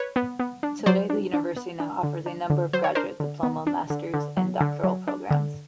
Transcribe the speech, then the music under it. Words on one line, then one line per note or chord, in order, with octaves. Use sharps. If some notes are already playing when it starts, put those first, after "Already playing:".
Today the University now offers a number of graduate diploma, master's, and doctoral programs.
Already playing: B4 C#5
B3
B3
D4
F#3 C5 D5
D4
D4
B3
D4
D3
D4
D3
F#3 C5
C#5
D4 A#4 C5
D3
B3
D4
D3
D3
F#3
D3
F#3
D4
D3